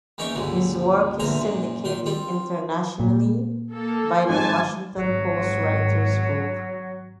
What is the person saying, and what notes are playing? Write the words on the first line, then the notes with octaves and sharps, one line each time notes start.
His work is syndicated internationally by The Washington Post Writers Group.
E2 A#3 C#4 D#4 G5 C#6
C#2 G2 A#2 D3
A#1 E2 D3 A#4 C5 A#5
F#2 A#2
A#2 D#3 C6
C4 F4
A#2
A#3 A4
G#1 G#2 G#5 A5
G#1 F#3